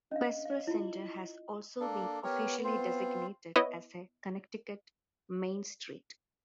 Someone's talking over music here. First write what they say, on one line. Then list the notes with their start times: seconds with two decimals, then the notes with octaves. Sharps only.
Westville Center has also been officially designated as a "Connecticut Main Street".
0.11 C#4 D4 D#5 F5
0.45 F5
0.67 E4 F4
1.80 A#3 D4 A4
2.24 B3 G4 A#4 C#5
2.64 C4 F4 C5
3.56 B3 E4 B4 C#5 D#5